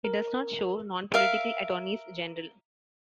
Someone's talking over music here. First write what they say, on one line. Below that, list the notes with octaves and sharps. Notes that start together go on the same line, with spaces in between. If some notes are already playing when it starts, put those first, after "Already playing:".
It does not show non-political attorneys-general.
A#4
A#4 E5 F5